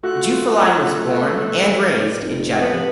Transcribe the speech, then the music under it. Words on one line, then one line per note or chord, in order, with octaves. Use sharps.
Juffali was born and raised in Jeddah.
A3 F4 F#4 F#6
F1
F3 B3
C3 B4